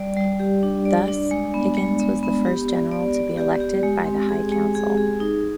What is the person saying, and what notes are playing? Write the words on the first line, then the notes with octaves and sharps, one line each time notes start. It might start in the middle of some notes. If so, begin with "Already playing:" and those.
Thus, Higgins was the first General to be elected by the High Council.
Already playing: G3 D5
G3
G4
D4
D5
D4
G#3
B3
G#3
B3
B3
G4
D5
D5
D5
G4
G4
G#3
C4
G#4
G#3
G#4
G#4
D#4